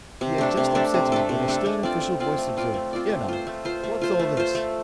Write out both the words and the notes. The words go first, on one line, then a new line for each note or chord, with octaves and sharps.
He had just upset him, when a stern official voice observed, ''Ere, now, what's all this?'
C3
A3 D4 A4
C3
A3 D4 A4
C3
A3 D4 A4
C3
A3 D4 A4
A3
C4 F4 D5
A3
C4 F4 D5
A3
C4 F4 D5
A3
C4 F4 D5
A3
F4 C5
A3
F4 C5
A3
F4 C5
A3
F4 C5
A3